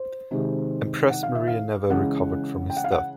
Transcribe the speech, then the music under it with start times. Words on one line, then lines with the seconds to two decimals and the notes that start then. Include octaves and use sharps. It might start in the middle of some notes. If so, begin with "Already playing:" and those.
Empress Maria never recovered from his death.
Already playing: C5
0.31 C3 D#3 G#3
1.10 F#5
1.23 F5
1.35 E5
1.47 F5
1.89 C#3 E3 G#3 C#4 F#5
2.70 G5
2.77 F#5
2.84 F5
2.91 F#5